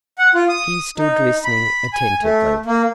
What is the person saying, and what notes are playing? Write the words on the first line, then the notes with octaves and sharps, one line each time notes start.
He stood listening attentively.
F#5
F4
D#6
D#4
B5
G#5
A3
A#3